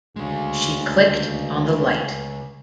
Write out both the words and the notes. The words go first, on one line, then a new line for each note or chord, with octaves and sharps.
She clicked on the light.
D2 C#3 G#3